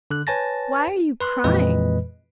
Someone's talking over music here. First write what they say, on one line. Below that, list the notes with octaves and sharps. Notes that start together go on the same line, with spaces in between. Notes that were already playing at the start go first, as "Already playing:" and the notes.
Why are you crying?
D3 F#6
B4 C#5 G#5 A5 A6 A#6
B4 C6 F#6
F2 A#2 E3 G#3 B4 D#5